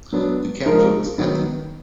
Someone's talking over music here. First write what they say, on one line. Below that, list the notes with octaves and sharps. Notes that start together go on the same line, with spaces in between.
The capital is Ati.
F#3 B3 D4
F3 G#3 D#4 A#4
D#3 F#3 B3